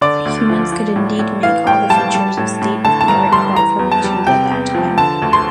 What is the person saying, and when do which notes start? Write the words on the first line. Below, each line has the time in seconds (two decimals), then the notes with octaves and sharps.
Humans could indeed make all the features of state-of-the-art crop formations at that time.
0.01 D3 D5
0.26 D2
0.49 F3
0.72 F3
0.96 A2
1.19 A2
1.43 E3 F5
1.66 A2 G5
1.90 G3 A5
2.15 G3
2.37 A2
2.62 A2
2.85 D3 A5
3.01 A5
3.08 G2 A#5
3.32 G3 C6
3.56 E3 A#5
3.79 E2
3.92 A5
4.04 G3
4.27 C3 G5
4.51 E2
4.75 F3
4.97 D3 A5
5.22 D2
5.33 C6